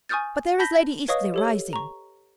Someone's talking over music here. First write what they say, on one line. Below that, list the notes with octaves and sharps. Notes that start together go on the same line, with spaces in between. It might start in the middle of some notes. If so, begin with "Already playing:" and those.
But there is Lady Eastleigh rising.
G#5 C#6 D#6 F6 G6 A6
A5 B5 G6 A#6 B6 G7
B4 C#5 D#5 F5 C#6 D#6
G4 A4 C#5
A#5 C#6